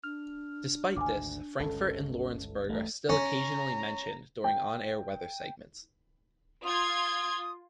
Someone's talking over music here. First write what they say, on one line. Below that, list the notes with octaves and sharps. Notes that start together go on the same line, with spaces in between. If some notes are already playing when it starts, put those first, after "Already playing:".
Despite this, Frankfort and Lawrenceburg are still occasionally mentioned during on-air weather segments.
D4 F6
G#1 D2 G#5 D6
G1 C#2 C#4 A4
A1 F2 A3
C#4 A#5
G5
F4 C6 D#6 G#6